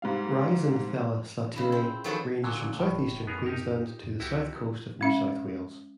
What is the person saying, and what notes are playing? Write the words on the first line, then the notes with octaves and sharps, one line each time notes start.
"Rhizanthella slateri" ranges from southeastern Queensland to the south coast of New South Wales.
G#2 G3 F5
C#3 E4
C4
D#3 F3 F#3 G#4 A4 B4
A#2 D3 F#3
D#1 A2
F#2 B3 G#4 A#4
D#4 G4 A#4
F#2
C#2 E4 F#4 G4
G#3 C#4 E5